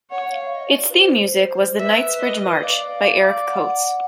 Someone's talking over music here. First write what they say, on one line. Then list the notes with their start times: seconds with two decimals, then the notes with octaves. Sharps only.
Its theme music was the "Knightsbridge March" by Eric Coates.
0.10 C#5 F#5
0.24 F#5
0.32 F5
0.45 E5
0.52 D#5
0.66 D5
0.89 B4
0.94 C5
1.78 B4 E5
2.20 D#5
2.62 D5 F5
3.46 F#5